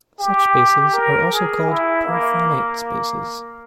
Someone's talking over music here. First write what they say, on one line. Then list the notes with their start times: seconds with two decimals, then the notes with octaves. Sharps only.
Such spaces are also called "profinite" spaces.
0.20 G4
0.94 A#4
1.32 G#4
1.69 E4
2.06 A#3